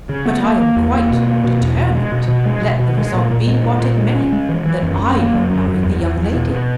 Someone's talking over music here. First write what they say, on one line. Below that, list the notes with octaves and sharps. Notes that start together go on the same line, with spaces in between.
"But I am quite determined, let the result be what it may, that I won't marry the young lady."
C#3
B3
A#3
A#3
E2
A#3
B2
A#3
B2
E2
B2
G#3
B2
B2
G#3
B2
B2
G#3
A#2
A#2
G#3
A#2
A#2
G#3
C#4
G#3
E3
E3
F#2
F#2
A#3
F#2
F#2
F#2
E2
E2
E2
B2
B2